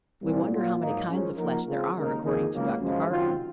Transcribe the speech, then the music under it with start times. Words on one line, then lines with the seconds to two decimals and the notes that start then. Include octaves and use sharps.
We wonder how many kinds of flesh there are according to Dr. Barton.
0.22 C2 A#2 F3
0.51 A#2 F#3 A#3 F4
0.79 G#2 F#3 A#3 D#4
1.08 F#2 F3 G#3 C#4
1.37 F3 A#3 D#4 F#4 A#4
1.66 C#2 C#3 G#3 C4 F4
1.95 D#2 C#3 G#3 D#4 A#4
2.23 F2 D#3 A#3 D#4 G#4
2.53 C#2 C#3 F#3 A#3
2.80 F#2 C#3 F3 G#3
3.09 F#2 D#3 F#3 C4 F4